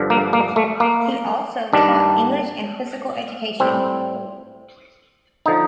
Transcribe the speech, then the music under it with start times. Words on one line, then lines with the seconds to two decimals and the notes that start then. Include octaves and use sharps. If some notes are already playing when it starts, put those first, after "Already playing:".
He also taught English and physical education.
Already playing: G2 D3 F3
0.10 A#3
0.33 A#3
0.56 A3
0.80 A#3
1.73 G2 D#3 G3 D4
3.60 A2 G3 C4
5.46 D3 F3 D#4